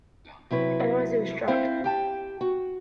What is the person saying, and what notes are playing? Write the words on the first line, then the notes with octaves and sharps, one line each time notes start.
Otherwise, it was dropped.
C3 F#3 E4 B4
C4 E4 C5 E5 F5
G4 G5 A5
F#4